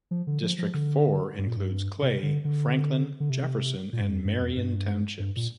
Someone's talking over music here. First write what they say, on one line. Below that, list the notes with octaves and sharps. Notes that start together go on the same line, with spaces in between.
District Four includes Clay, Franklin, Jefferson, and Marion Townships.
F3
D3
F3
F3
D3
G2
A#2
G2
C3
D3
D3
D3
C3
A#2
G2
F2
G2
F2
G2
G2
A#2